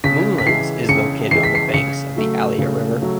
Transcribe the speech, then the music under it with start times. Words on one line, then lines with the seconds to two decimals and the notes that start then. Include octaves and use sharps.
Moulins is located on the banks of the Allier River.
0.04 C#3 B6
0.38 B6
0.46 E3 G#3 C7
0.89 C#3 C#7
1.31 E3 G#3 C7
1.43 B6
1.55 C7
1.74 C#3 C#7
2.16 F#3 A3
2.59 C#3
3.02 F#3 A3